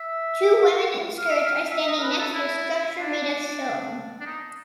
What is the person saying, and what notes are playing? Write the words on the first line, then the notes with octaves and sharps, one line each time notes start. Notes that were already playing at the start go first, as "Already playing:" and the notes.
Two women in skirts are standing next to a structure made of stone.
Already playing: E5
F5
E5
F5
E5
D#5
A#4
B4
A4
E4
D4
D4
D#4